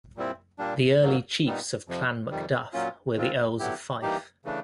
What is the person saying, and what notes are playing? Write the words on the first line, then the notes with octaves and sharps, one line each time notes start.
The early chiefs of Clan MacDuff were the Earls of Fife.
A#2 G3 C4 E4
A#2 G3 A#3 D4
G#2 D#3 F#3 A#3
A#2 G3 B3 D#4
F2 C3 F3
F2 C3 D#3 G3
A#2 F#3 A#3 C#4 F4
D#3 G#3 C4 F4
D3 F#3 B3 E4 G4
E3 G3 A#3 D#4 G4
C#3 E3 A3 D4